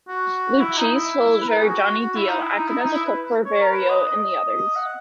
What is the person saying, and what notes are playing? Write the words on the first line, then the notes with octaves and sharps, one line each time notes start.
Lucchese soldier Johnny Dio acted as a cook for Vario and the others.
F#4
E4
D#4
E4
B4
A#4
G#4
F#4
F#4
F#4
E4
D#4
E4
D#4
E4
D#4
E4
B4
C#5
A#4
B4
D#5
D#5
F#5